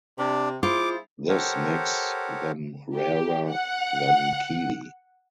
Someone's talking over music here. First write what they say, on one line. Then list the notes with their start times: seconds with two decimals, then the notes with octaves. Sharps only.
This makes them rarer than kiwi.
0.19 C3 D4
0.63 E4 F4 G#4 C5 D6
1.29 G4 A4 A#4 C5 C#5 F#5
2.95 G4
3.50 F#5